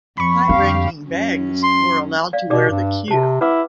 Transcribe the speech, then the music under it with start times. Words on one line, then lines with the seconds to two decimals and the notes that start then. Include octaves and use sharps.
High-ranking Begs were allowed to wear the Queue.
0.18 F2 B5 C#6
0.49 F2 D3 G4 F5
1.08 F#2 C#4
1.63 C6
2.33 D5 F5
2.50 B2 G4 D5 D6
2.70 G2
3.08 C3 G4 A5
3.41 E4 B4 F#5 D6